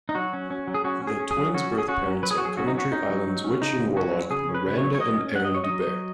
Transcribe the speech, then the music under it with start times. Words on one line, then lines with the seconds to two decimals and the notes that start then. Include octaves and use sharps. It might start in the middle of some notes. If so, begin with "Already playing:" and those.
The twins' birth parents are Coventry Island's witch and warlock, Miranda and Aron DuBaer.
0.09 D#4
0.15 F#3 F#4
0.33 C#4
0.51 C#4
0.68 F#3
0.74 G#4
0.84 C#4 F#4
1.02 C#4
1.07 G#4
1.19 C#4
1.31 G#4
1.37 F#3
1.54 C#4 F#4
1.72 C#4
1.78 G#4
1.88 C#4 F#4
2.06 F#3
2.23 F#3 B4
2.31 G#4
2.38 F#4
2.41 F#3 G#4
2.57 C#4 F#4
2.68 D#4
2.75 C#4 F#4
2.92 C#4 D#4
3.09 F#3
3.27 F#3
3.44 C#4
3.62 C#3 D#4
3.79 C#3
3.96 C#4 F#4
4.14 F#3
4.31 C#3 G#4
4.49 C#4
4.54 B4
4.66 C#3 B4
4.78 C#5
4.83 F#3
4.94 C#5
5.00 F#3 D#5
5.18 C#4
5.35 F#3 F#5
5.45 D#5
5.52 F#3 C#5
5.64 D#5
5.70 F#3
5.87 F#3